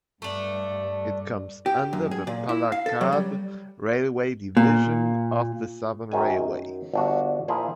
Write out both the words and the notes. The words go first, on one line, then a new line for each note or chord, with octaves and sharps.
It comes under the Palakkad Railway Division of the Southern Railway.
G2 A3 D4
G4
F#2
G#4
A#2
E4
F5
A4
F#3
G3
A#2
F#2 D#3 G#5
G1 D4 F#4
A#2 F3 E4 G#4